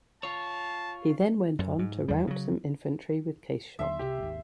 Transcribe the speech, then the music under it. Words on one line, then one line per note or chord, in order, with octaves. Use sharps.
He then went on to rout some infantry with case shot.
F4 C#5 A5
F#2
G#2
E2 G3
C#3 F#3
D#2 D3 F#3 E5 C6
C2 C3 G4
G#1 D#2